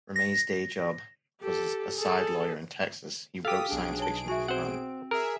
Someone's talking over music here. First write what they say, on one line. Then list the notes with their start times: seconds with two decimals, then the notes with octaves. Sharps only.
Ramey's "day-job" was as a lawyer in Texas; he wrote science fiction for fun.
0.16 A#6
1.41 G4 A4
1.96 G#4 A4
3.45 G4 A4 F5 D#6 B6
3.69 B1 D4 G#4 D7
3.99 C#5 A5
4.28 F#4 E5 G#5
4.48 C4 F#4 C5 F#5
5.11 G#4 A#4 E5